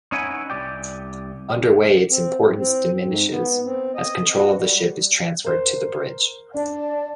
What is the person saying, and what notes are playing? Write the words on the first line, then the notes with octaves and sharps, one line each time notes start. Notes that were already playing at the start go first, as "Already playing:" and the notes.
Underway, its importance diminishes as control of the ship is transferred to the bridge.
C#4 D#4 E4 B4 F#5 G#5
C2 G4 D5 G5
C4
A2
C4
G#2
B3
C4
D#5
F#4
G3
A#4 C5
D4 D5 A5